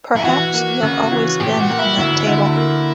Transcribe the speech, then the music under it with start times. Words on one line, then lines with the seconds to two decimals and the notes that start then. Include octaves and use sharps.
Perhaps you have always been on that table.
0.16 E4
0.24 E3 F#4
0.54 A#3
0.82 C#3
1.11 E3
1.40 A#2 G4
1.60 F#4
1.70 A#3
1.79 E4
1.98 D2 E4
2.27 D3
2.56 A#3